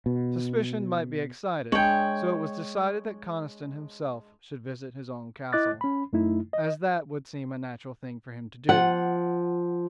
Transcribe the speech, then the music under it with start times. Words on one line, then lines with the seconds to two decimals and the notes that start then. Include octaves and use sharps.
Suspicion might be excited, so it was decided that Conniston himself should visit his own castle, as that would seem a natural thing for him to do.
0.06 B2
1.72 G#3 D4 C#5 G5 F#7
5.53 E4 D#5 D6 F#6 A6
5.81 C#4 B5
6.13 F#2 A3 D#4 E4
6.53 D#5
8.69 F3 F#5